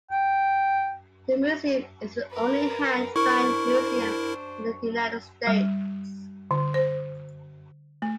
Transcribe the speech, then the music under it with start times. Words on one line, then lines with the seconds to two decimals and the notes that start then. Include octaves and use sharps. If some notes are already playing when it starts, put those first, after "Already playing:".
The museum is the only Hand Fan Museum in the United States.
0.11 G5
2.31 A#4 B4
3.16 D4 E4 A#4 C5 C#6
5.47 G3
6.51 D3
6.74 C5
8.02 A3